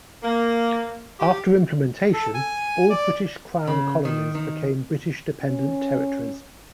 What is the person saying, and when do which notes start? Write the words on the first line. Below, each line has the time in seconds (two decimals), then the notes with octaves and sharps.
After implementation, all British Crown colonies became British Dependent Territories.
0.23 A#3
1.20 G4
2.14 A4
2.34 G#5
2.90 D5
3.67 C#3
4.05 D#3
4.35 D#3
5.42 C#4